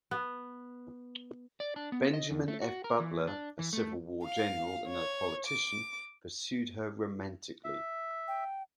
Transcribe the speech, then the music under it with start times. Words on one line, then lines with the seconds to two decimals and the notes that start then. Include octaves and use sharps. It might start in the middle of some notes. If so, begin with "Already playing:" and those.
Benjamin F. Butler, a Civil War general and a politician, pursued her romantically.
0.11 B3
1.60 D5
1.76 D4
1.92 B3
2.14 D#5
2.31 E2
2.48 A3
2.62 F#4
2.84 A#4
3.00 E3
3.27 D4
3.59 E3
3.73 A3
4.25 F5
4.88 C#5
5.47 D6
7.64 E5
8.28 G5